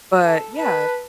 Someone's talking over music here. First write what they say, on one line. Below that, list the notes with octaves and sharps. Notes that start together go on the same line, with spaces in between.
but, yeah,
A4 A5
B4 A5